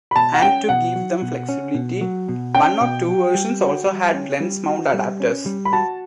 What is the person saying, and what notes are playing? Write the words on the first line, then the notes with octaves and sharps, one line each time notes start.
And to give them flexibility, one or two versions also had lens mount adapters.
B5
B2 A5
F#5
C#4 G5
B2 F#5
F#3
B2
C#4
B2
F#3
B2
C#4 G5
B2
F#3
G3
F#4
G3
C#4
G3
F#4
G3
C#4
G3
B5
F#4 A5